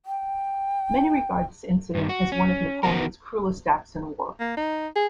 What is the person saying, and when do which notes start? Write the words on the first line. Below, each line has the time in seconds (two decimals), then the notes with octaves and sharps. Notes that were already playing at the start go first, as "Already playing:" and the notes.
Many regard this incident as one of Napoleon's cruelest acts in war.
0.06 G5
1.95 G2 D#3
2.09 F#4
2.32 C#4
2.83 D#3 B3 F#4 A#4
4.40 A#3
4.57 D#4
4.95 G#4